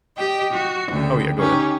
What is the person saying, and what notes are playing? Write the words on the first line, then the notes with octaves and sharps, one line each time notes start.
oh, yeah, go ahead.
G4 D#5 G5
F#4
D2 C#3 G5
C#4 D#4 G4